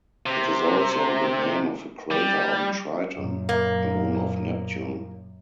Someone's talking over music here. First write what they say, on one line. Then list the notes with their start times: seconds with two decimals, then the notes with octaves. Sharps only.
It is also the name of a crater on Triton, a moon of Neptune.
0.26 C3
2.11 G3
3.15 F#2 A#2
3.49 A#3